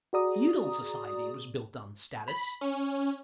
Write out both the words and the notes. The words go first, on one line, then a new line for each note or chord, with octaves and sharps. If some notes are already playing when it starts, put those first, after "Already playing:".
Feudal society was built on status.
F#4 G#4 D5 A#5 D#6
B5
C#4